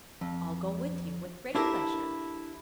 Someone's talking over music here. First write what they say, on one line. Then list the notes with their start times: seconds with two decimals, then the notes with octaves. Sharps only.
I'll go with you, with great pleasure.
0.21 F2
1.55 D4 E4 G4 A4 A#4